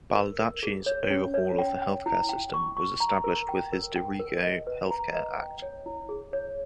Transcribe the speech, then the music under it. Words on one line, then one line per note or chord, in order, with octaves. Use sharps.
Baldacci's overhaul of the healthcare system was established with his Dirigo Health Care Act.
A#4
A#4
G#4
C#5
C#4
C#5
G5
G5
E4
G5
C#6
C#6
A#5
A#4
G5
A#4
G5
A#4
D#5
B4
A#5
D#5
G5
C#5
E4
G#4
C#5